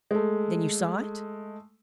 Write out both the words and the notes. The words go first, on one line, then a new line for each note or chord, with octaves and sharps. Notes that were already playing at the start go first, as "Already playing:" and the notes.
"Then you saw it?"
G#3 A3